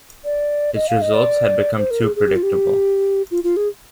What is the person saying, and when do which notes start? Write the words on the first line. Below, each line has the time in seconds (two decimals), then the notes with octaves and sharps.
Its results had become too predictable.
0.25 D5
0.75 D#5
0.89 F5
1.02 D#5
1.14 D5
1.78 C5
1.91 A#4
2.04 G#4
2.16 G#4
2.28 G4
2.36 F4
2.43 G4
3.31 F4
3.44 F4
3.57 G#4